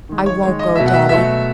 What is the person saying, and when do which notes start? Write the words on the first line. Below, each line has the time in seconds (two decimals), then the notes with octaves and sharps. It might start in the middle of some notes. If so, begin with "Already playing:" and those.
"I won't go, daddy."
0.09 D#3 G#3
0.26 C#5
0.42 D#3 G#3 C#5
0.59 D#5
0.76 B2 F#3 A3 E5
0.86 F#5
0.93 E5
1.09 B2 F#3 A3 E5